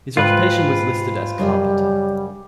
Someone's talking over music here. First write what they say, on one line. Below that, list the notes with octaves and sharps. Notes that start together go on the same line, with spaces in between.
His occupation was listed as carpenter.
G#2 F4 B4 G5
F#2 C#3 G3 D#5